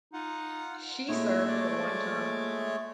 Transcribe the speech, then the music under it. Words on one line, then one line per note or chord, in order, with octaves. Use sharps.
She served for one term.
D#4 F4 F#5
A#2 G#3 A3 E4 C#5
D5